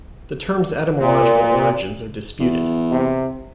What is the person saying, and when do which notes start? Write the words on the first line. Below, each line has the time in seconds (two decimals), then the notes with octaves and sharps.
The term's etymological origins are disputed.
0.97 A#2
2.40 E2
2.91 C3